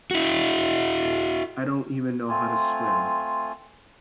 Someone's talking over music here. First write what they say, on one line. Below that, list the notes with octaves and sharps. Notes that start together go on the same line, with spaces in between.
I don't even know how to swim!
E4 F#4
A3 C4 F4 G#5